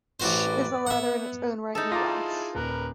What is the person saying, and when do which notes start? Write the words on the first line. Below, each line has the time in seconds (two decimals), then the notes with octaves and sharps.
"Ll" is a letter in its own right in Welsh.
0.20 A1 F#4 B4 C5 D5
0.87 B3 E5 F#5
1.75 D#4 E4 G#4 A4 A5
1.92 F4 A#5 D6 A#6
2.55 D#1 A#4 B4